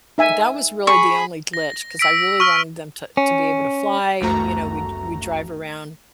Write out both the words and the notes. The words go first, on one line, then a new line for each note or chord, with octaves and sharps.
that was really the only glitch 'cause I really wanted them t to be able to fly and, you know, we d we drive around
D#4 E5 G#5
G#4 B5 C#6
A#6
E6 B6 D7
C#6 F6
C#4
G1 C#2 F#2 A3 F#4 A#5